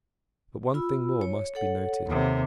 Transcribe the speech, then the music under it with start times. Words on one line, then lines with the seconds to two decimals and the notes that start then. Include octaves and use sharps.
But one thing more must be noted.
0.74 F4 B5 E6
1.21 C#5
1.55 A4 C#5 F#5
2.07 D#2 C3